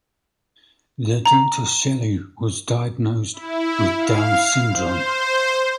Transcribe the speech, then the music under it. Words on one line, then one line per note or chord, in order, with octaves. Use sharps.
Their daughter, Shelley, was diagnosed with Down syndrome.
A#5
E4
F5
C5